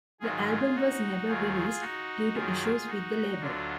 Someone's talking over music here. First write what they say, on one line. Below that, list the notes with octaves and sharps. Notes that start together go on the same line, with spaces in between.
The album was never released due to issues with the label.
G#2 D#3 F#3 F4 G#4
D#4 F#4
D#2 D#3 F#3 F4 G#4
D#4 F#4
F#2 D#3 F#3 F4 G#4
D#4 F#4
D2 D3 F#3 D4 F4